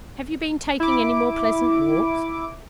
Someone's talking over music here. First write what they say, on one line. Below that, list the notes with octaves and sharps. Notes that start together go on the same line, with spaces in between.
'Have you been taking any more pleasant walks?'
E4 D6